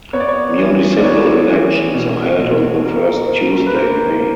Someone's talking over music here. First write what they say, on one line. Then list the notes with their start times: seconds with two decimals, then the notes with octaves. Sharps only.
Municipal elections are held on the first Tuesday in May.
0.13 B3 C#5
0.20 D5
0.29 C#5
0.58 E3
0.97 D5
1.04 B3 C#5
1.49 E3
1.94 B2
2.40 B2
2.84 A#3
3.29 A#3
3.67 B4
3.75 A#3 C5
4.20 A#3